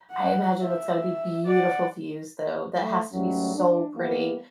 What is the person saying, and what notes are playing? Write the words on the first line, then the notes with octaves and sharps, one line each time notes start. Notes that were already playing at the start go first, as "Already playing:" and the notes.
I imagine that's gotta be beautiful views, though. That has to be so pretty,
F#5
E5
D5 F#5
A3
D#2 G#2 F#3 G3 A3 C#4
D4
E3 G3 A#3 B3